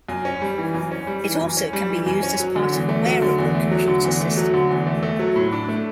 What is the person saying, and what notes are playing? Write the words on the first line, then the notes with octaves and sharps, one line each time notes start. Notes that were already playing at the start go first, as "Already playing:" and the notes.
It also can be used as part of a wearable computer system.
F#2
C#4
G3
E3
F#2
C#4
G3
E3
F#2
C#4
G3
E3
F#2
C#4
F#3
D3
E2
A3
F#3
D3
E2
A3
F#3
D3
E2
A3
F#3
D3
E2
A3
A3
F#3
A2
D4
A3